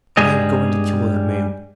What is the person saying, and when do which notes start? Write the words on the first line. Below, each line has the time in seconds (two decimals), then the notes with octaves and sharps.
I am going to kill that man.
0.17 G2 G3 G#3 G#4 D#5